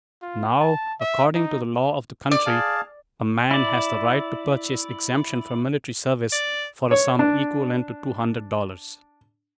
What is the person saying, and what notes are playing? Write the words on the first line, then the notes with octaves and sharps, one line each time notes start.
Now, according to the law of the country, a man has the right to purchase exemption from military service for a sum equivalent to two hundred dollars.
F4
A5
E5
D#4
D5
G#4 F5 A5
E4 D5
D5
C#5
D4